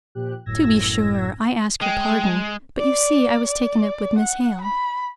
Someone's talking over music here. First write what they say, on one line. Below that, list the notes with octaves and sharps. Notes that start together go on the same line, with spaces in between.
'To be sure; I ask your pardon; but you see I was taken up with Miss Hale.
A#2 F3 G4 F#6
G1 F#2 A2 E6 G#6 A#6
G#3 G5
D5
D5
F#5
B5